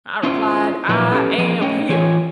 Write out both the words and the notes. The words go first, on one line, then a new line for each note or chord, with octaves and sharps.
I replied, "I am here."
C#4 E4 F4 C5
A#2 F3 F#3 D#4 E4 B4
C#4 G4 A4 B4
F3 C4 G#4 D#5
A3 C#4 C#5 D#5 G5
E3 F4 C#5 G#5